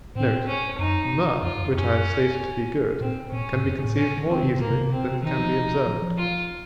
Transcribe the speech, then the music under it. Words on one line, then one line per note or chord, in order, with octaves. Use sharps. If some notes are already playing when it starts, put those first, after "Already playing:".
Note.--Mirth, which I have stated to be good, can be conceived more easily than it can be observed.
A2 C4
C#4
F#2 D#4
F#2 F4
F#2
F#2 C#4
A#2 C4
A#2 C#4
A2
F#2
A2
C#4
F3 C4
D#3
C#3
C3
A#2 A#3
C3
C3
C4
D#3 D#4
F3
F3
F3
F4